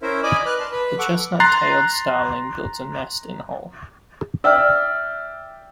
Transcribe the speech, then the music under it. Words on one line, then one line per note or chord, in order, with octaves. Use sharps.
The chestnut-tailed starling builds a nest in hole.
C#4 E4 A#4 C5 E5
D5 D#5 G#5 B5 D6
B4 D5 F6 F#6
A5 C6
B4 B5
A4 F#5 C#6 D6
A#5 C6 F#6 A6 C7
D5 E5 G5 E6 F6